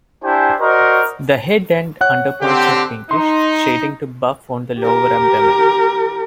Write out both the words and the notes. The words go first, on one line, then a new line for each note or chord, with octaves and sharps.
The head and underparts are pinkish, shading to buff on the lower abdomen.
D4 E4 G4 C5 G#5
F#4 A#4 C5 D5 D#5 C#6
C#5 F#5 F#6
D3 C4 G4
D#4 C6
G4 A#4